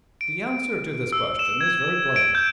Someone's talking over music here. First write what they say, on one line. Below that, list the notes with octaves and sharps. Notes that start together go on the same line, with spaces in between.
The answer to this question is very plain.
D7
E6
E7
G#6
D7
G6